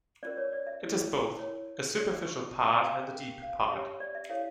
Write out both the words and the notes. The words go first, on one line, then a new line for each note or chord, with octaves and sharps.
It has both a superficial part and a deep part.
C#4 F4 A#4 D5
C#5
D5
E5
E4 A#4 C#5
E4 A#4 C#5
D4 A4 C#5 D5
E5
C#6
C#6
C#4 F4 A4 A#5
G5
F5
D4 G4 A#4 G5
F5
C#4 G4 C#5 E5
D5
E5
E4 A4 C#5 F5